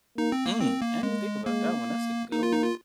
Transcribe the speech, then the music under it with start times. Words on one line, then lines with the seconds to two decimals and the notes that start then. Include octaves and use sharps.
Mm, I didn't think about that one. That's a good one.
0.18 A#3 D#4
0.32 C4
0.46 A#3
0.61 A#3 C4
0.82 A#3
1.03 G#3 A#3
1.46 G#3 A#3
2.31 A#3 D#4
2.43 F4
2.53 D#4
2.64 F4